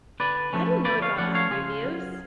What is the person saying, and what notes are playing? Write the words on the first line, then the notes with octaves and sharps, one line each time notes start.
I didn't know it got bad reviews.
D3 B4 D5
F3 A3 C#4
D3 B4 D5
C#5 F5
F3 A3 C#4 D5 F#5
C#5 F5
C#3 F4 G#4
F#3 C#4